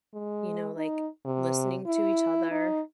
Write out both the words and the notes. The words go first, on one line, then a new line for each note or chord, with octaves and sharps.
You know, like listening to each other
G#3
D#4
C3
E4
D#4